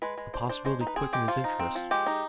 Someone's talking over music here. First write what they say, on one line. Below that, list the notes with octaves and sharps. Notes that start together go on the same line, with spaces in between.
The possibility quickened his interest.
G#3 B4
G#3
D4 C5
D4 C5
G#3 C5
D#4
B4
C4 G#4
G#3 G4
F3 F4
D#4
C4
F3
G#3 G4
D#4